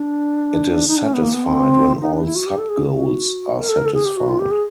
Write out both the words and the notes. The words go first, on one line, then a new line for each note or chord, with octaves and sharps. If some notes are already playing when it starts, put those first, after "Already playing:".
It is satisfied when all sub-goals are satisfied.
Already playing: D4
D#4
D4
C#4
B3
A#3
B3
C4
D#4
D4
E4
F#4
G4
A4
G#4
F#4
A#4
A4
A#4
A4
G#4
G4
F#4
F4
G4
G#4